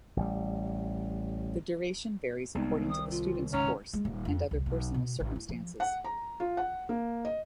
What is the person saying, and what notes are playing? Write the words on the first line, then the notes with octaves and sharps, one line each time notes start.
The duration varies according to the student's course, and other personal circumstances.
A1 G3
C2 G#3 B3 D#4
C3 D#3 D#6
F4
C#2 G#2 C#4 A#5
G#3
D#1
F2
C2
B1
B2
A1
E4
F3
F#5
A#5
F4
F#5
A#3
D#5